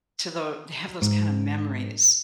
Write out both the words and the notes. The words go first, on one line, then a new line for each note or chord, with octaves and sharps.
to the have those kind of memories.
G#2